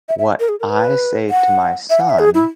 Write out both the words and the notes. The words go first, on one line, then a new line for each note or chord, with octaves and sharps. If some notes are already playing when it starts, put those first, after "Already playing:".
What I say to my son
E5
E5
A#4
G#4
A#4
B4
F#5
E5
F#5
E5
G#4
E4